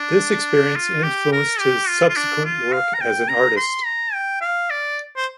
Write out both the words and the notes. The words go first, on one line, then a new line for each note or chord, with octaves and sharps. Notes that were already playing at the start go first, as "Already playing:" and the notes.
This experience influenced his subsequent work as an artist.
Already playing: D4
F4
G4
A#4
G4
F4
F4
D4
F4
F5
A#5
G5
A#5
C6
A#5
G5
F5
D5
C5